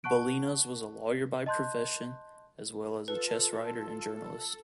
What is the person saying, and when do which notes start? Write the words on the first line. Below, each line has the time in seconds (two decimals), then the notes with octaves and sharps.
Balinas was a lawyer by profession, as well as a chess writer and journalist.
0.04 F#5 A5 C#6 F#6 D7
1.46 D#5 A5 C6 F#6 G6
3.08 F4 A4 B4